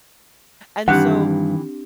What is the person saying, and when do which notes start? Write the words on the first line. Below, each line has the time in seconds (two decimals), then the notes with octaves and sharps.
and so,
0.88 G2 D#3 E3 C4 D4 G4 F#5